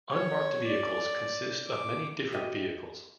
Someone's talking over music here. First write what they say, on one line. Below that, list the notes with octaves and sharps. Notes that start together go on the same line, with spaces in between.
Unmarked vehicles consist of many different vehicles.
C#5
D5
D6
F#4 G4 C5 D#5 E5 G5